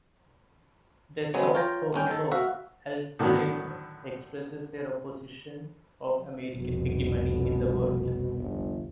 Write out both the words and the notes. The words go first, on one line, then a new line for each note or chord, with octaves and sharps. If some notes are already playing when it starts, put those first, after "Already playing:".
Their soft folk song, "Alzheimer" expresses their opposition of American hegemony in the world.
C#3 F#3 G#3 B3 C4
F4 C#5 G5 A#5
G1 D#2 C#4 G5
D#3 A4
F#4 E5 F5
A2 D3 D#3 F#3 B3
F1 C2 B2
G1